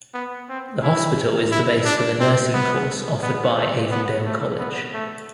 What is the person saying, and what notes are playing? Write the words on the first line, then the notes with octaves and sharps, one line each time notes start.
The hospital is the base for the nursing course offered by Avondale College.
B3
C4
E4
E4
D4
C4
B3
B3
A3
B3
A3
B3
A3